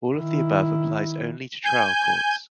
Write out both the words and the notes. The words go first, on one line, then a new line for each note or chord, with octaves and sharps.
All of the above applies only to trial courts.
D#3 E4
G#5 G6